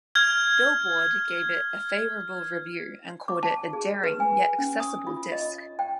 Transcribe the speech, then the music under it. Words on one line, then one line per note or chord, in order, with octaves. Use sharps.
Billboard' gave it a favorable review and called it "a daring yet accessible disc".
F6 G#6
D6
A5
G#4
B4
G#5
C#4
D#6
F4
D#5
G5